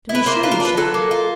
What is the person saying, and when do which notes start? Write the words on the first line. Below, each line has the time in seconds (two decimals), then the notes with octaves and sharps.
"To be sure you shall."
0.09 E4
0.15 B4
0.26 A#3 C5
0.43 F4 B4
0.51 A#4
0.60 D4
0.65 B4
0.77 F#3 A4
0.94 A#3
1.11 F4